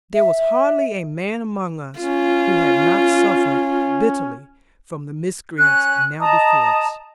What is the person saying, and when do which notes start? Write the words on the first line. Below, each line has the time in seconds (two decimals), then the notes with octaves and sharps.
There was hardly a man among us who had not suffered bitterly from the miscreants now before us.
0.15 E5
2.00 C#4 F4
5.57 C#4 F#6
6.20 D#5 A5 A#5 D#6